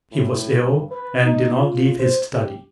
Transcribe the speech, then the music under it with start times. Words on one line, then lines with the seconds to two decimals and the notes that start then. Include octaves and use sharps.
He was ill and did not leave his study.
0.12 A2
0.58 G2
0.91 B4
1.25 D#4
1.58 F4
1.99 C5
2.33 G4